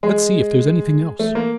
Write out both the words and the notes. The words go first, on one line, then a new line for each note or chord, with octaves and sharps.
"Let's see if there's anything else."
G#3
A3
A#3